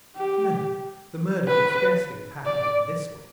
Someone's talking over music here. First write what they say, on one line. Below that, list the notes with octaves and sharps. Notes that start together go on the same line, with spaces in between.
No! the murder could scarcely have happened in this way.
G4
B4
D5